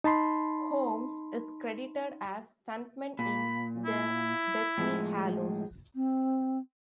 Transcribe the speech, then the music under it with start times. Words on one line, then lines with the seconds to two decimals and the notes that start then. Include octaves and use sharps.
Holmes is credited as stuntman in "The Deathly Hallows".
0.04 D#4 A5 B5 C6
3.19 A#2 B5
3.86 E4
4.78 A2 F3 G#3
5.96 C4